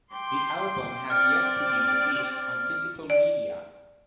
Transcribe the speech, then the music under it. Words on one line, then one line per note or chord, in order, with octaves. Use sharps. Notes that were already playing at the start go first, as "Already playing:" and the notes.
The album has yet to be released on physical media.
G5 C6 D6
C4 D5 F6 C#7
D5